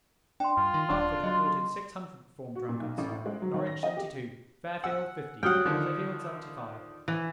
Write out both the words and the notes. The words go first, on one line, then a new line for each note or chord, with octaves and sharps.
Hartford reported six hundred reformed drunkards; Norwich, seventy-two; Fairfield, fifty; Sheffield, seventy-five.
D4 G5 C6
G2 F4
D#3
D#1 D4
F#3 D#5 C6
F#4
A#2
B1
A1
A2
G#3
F#3
D#3
A#6
D#5
G4
F#5 G#5 E6
G2 F#3 F#5 G5 D#6 F6
D3 D#3 F3
E3